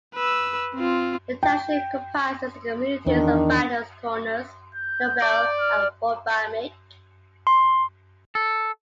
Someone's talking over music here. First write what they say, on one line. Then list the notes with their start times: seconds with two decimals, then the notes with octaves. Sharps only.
The township comprises the communities of Badger's Corners, Nobel, and Waubamik.
0.15 B4 E6
0.75 C4 F4
1.43 G5
3.06 E2 D#3 D4
4.75 G6
5.22 D5
5.60 F6
7.47 C6
8.35 A4